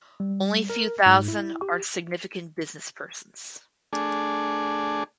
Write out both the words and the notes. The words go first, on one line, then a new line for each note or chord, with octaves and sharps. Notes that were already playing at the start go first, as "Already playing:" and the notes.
Only few thousand are significant businesspersons.
G3
A#4
G#2
E4
G4
A3 D4 G#4